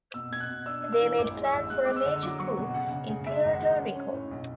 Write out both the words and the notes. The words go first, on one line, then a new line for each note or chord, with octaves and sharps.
They made plans for a major coup in Puerto Rico.
B2 E6
B2 G#6
F#6
B2
D4 E6
D4
E6
E3
A1 D6
G#3
E6
A1
G#3 F#6
G#3 D6
E6
D3
F#3 D6
F#3 C#6
B2 F#5
C#3 F#5
C#3
C#3
G#3 E5
G#1
F#5
G#3
C#4
C#4
A2
B1